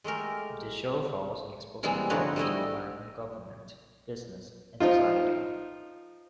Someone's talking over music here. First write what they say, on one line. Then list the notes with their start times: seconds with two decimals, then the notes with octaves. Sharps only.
The show focused on exposing problems in American government, business, and society.
0.04 G#3 A3 G4 A#4
1.83 C3 E3 G3 G#3 A#3 B3
2.10 D3 F3 D#4 F#4 B4 C#5
2.36 G3 A3 E4 D#5
4.80 F3 D#4 F4